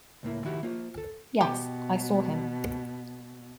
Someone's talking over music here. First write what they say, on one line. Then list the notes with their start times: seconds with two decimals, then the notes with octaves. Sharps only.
Yes, I saw him.
0.23 C#2 A2 A#3 E4
0.45 D#3 E4 F#4 G4
0.63 A#3 F4 C5
0.98 A4
1.41 B2 G4